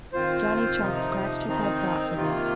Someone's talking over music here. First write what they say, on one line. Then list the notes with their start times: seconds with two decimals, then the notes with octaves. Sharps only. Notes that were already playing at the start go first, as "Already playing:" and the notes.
Johnny Chuck scratched his head thoughtfully.
0.13 D#3 C4 F4 C5
0.80 C3 F3 D#4
1.46 D#3 C4 D#4
2.14 C3 D#3 A#3 F4